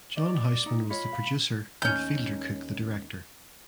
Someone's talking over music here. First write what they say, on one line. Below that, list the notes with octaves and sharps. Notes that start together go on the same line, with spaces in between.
John Houseman was the producer and Fielder Cook the director.
D5 D#5
D#4
F4 C#5 D#5 B5
F5
D#2 C#4 G6